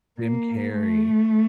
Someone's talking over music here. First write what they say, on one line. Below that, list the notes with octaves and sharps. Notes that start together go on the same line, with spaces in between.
Jim Carrey.
A#3
A3